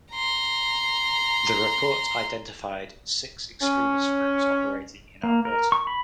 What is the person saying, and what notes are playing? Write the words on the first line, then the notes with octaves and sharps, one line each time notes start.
The report identified six extremist groups operating in Alberta.
A#5 C6
C#4
A#3
A#4
C#6
B5